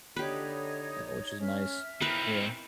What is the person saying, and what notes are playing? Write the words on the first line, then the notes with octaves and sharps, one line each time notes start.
uh, which is nice. Yeah,
D3 D#4 G4 B4 C#5
C#4 E5 F6
C4 D#4 E4 A#4 B4